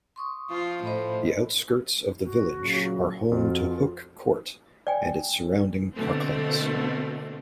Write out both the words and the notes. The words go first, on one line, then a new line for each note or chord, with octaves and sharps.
The outskirts of the village are home to Hooke Court and its surrounding parklands.
C6 C#6 D#6
F3 F4
A2 C5 D#5 B5
F#4
A#2 C#3 F#3
F2 F4 F#4
D5 G5 G#5
B2 D3 A3 A#3 C4